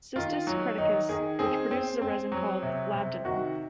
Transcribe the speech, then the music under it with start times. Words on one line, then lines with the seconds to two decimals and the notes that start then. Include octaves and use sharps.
Cistus creticus, which produces a resin called labdanum.
0.16 D#3 F4
0.47 F#3
0.78 D#3 D#4
1.09 D#3 G#4
1.39 C4 G#4
1.71 C4
2.02 C4
2.32 F#3
2.63 C3
2.94 C3
3.25 D#3 F#4